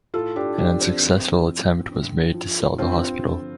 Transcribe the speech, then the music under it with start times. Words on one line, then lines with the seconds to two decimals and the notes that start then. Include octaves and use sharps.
An unsuccessful attempt was made to sell the hospital.
0.14 A2 F4 A4
0.36 D4 G4
0.58 F3 D4 G4
0.80 C4
1.02 F2
1.46 F3
1.90 G2
2.34 F3
2.78 G2 C4 F4
3.22 D3 F3